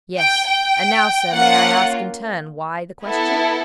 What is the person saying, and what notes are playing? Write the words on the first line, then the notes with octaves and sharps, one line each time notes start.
"Yes; and now, sir, may I ask in turn why the question?"
G5
G5
A#3 C#4 F4 F#5
B3 E4 A4